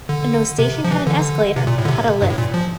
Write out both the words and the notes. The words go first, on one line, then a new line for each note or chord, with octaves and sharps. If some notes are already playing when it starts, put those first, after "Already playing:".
No station had an escalator; had a lift.
D3
C3
F3
E3
D3
C3
A#2
A2
D3
C3
G2
A2
A#2
F3